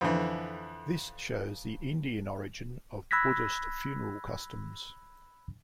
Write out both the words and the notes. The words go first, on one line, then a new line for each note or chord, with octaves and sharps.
This shows the Indian origin of Buddhist funeral customs.
F2 D3 E3
B5 E6 F#6 G#6 A#6 B6